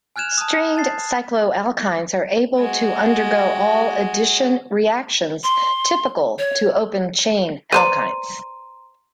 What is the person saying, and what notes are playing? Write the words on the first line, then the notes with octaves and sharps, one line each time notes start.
Strained cycloalkynes are able to undergo all addition reactions typical to open chain alkynes.
G#5 F6 F#6 G#6 E7 F7
A5 D#6
A5 A6 C7
G#3 F#4
C6
C#5
B4 C5 D5 A#5 C6 D#7